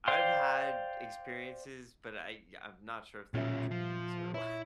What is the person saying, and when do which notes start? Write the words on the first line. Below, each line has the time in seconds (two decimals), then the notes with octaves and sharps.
I've had experiences, but I I'm not sure if they were dreams or wha
0.08 C5 D5 F5 G5 C6
3.34 B1 A#2 C#4 F4 E5
3.71 F3
4.34 E4 C#5